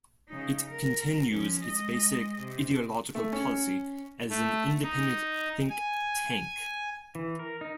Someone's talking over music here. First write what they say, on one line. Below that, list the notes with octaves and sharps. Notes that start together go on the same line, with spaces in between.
It continues its basic ideological policy as an independent think tank.
C#3 D#4
A#4
F3 C#4
G#3 D#5
C3
A3
C#4
A3
D#4
G#5
E3
A#4
D#4